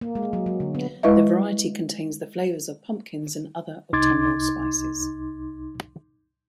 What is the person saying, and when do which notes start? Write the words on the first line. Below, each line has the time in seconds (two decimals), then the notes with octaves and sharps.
This variety contains the flavors of pumpkins and other autumnal spices.
0.01 A#3
0.15 G#3
0.33 F#3
0.46 F#3
0.60 D3
0.75 B3
1.03 G#3 E4 B4 D#5 E5
3.93 C2 D#4 C6 D6 G#6 A6